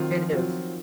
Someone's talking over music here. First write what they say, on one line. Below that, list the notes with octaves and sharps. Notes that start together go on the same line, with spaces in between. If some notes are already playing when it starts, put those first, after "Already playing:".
It is.
Already playing: D#3 F#3 C4 F4
F3
F#3 C4 F4